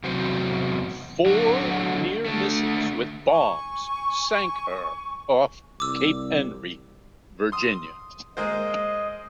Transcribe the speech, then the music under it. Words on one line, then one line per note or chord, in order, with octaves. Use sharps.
Four near-misses with bombs sank her off Cape Henry, Virginia.
E2 C3 F#3 C4 F#4 C5
D3 F#3 F#4
D3 A3
G#5 C#6
C2 D6 E6
C6 D#6
G#3 A#3 C5 D#5